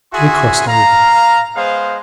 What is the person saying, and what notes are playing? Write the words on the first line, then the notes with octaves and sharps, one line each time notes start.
We crossed over.
E4 F#4 G#4 E5 G#5 C6
F5 A#5
G#3 B3 C5 F5